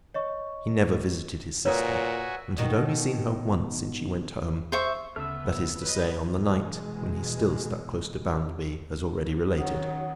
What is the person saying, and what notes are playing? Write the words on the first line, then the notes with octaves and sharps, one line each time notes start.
He never visited his sister, and had only seen her once since she went home: that is to say on the night when he still stuck close to Bounderby, as already related.
C#5 D#5 C#6
A#2 F#4 B4 C#5 E5 G#5 A#5 D#6
B2 D#3
C5 E5 C#6
D2 C#3 A3 B3 E6 F6
F#3 B4 D#5
B2 E3 G#3
D#3 F#3 C#4 F#5 D#6